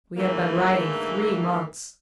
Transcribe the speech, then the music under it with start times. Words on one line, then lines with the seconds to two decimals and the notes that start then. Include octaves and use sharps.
We have been riding three months.
0.17 G#2 D3 E3 A3 A#3